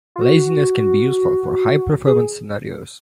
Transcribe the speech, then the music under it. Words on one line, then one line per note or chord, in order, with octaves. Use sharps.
Laziness can be useful for high performance scenarios.
F4
F#4
G#4